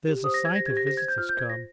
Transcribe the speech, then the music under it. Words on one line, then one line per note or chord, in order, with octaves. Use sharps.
There's a sight of visitors come.
G4
C5 D#6
A#6
C5
G#6
G4 A#6
G#6
G4
A#6
C5 A#6
G#6
C5
G6
F4 F6
G6
C5 G#6
F4 A#6